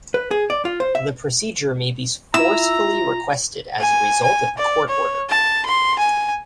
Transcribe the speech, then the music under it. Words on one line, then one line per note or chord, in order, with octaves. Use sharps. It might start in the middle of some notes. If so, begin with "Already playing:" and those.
The procedure may be forcefully requested as a result of a court order.
B4
G#4
D5
F4
C5
E5
E4 F4 A#5 E6
G#5
G#5
D5
C#5
A5
C6
G#5